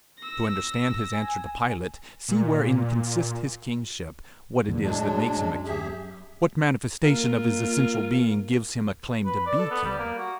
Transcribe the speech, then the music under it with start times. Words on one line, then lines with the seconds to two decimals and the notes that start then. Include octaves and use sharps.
To understand his answer to Pilate, see wherein consists his kingship; what it is that makes him a king; what manifestation of his essential being gives him a claim to be king.
0.19 E6 A#6
1.14 G#5
2.28 A#2
4.68 E2 A#2 D3
4.83 A2 F#3 G#3 D4
5.37 F#2
5.66 G4 G#4 E5
7.04 A#3 F4 A#4
9.26 B4
9.47 D5
9.59 A4
9.71 B3
9.85 G3
9.98 A#3
10.19 F#4